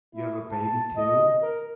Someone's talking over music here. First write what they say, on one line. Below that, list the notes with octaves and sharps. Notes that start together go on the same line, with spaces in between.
You have a baby too?
E4
A5
D#5
A#4